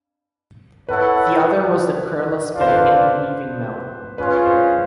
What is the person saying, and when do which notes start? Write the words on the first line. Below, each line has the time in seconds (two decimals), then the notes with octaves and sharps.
The other was the Kurla Spinning and Weaving Mill.
0.89 E4 A4 B4 C#5 F#5
2.53 F4 A4 D5 F5
2.61 C5
2.68 B4
2.75 C5
4.18 G#3 C#4 F4 B4
4.46 C5